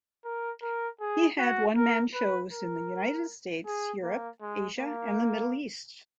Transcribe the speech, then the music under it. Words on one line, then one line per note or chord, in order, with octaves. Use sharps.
He had one-man shows in the United States, Europe, Asia and the Middle East.
A#4
A#4
G#4
F#4
A#4
B4
A#4
G#4
A#3
G#3
A#3